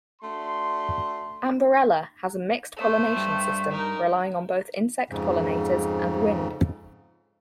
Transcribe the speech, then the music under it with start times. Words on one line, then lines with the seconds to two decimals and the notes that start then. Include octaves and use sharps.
"Amborella" has a mixed pollination system, relying on both insect pollinators and wind.
0.21 A3 D4 F#4 C6
2.77 A3 C5
3.17 G2
3.71 D#4 A#4
5.10 F2 G#2 C#3